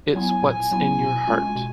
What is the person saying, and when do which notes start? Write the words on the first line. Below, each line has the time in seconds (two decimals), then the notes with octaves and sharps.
It's what's in your heart.
0.15 F#3 B3 E4 G#5
0.42 A#2 G#5
0.71 F#3 B3 E4
0.99 B2
1.27 G#3 C#4 F4
1.55 B2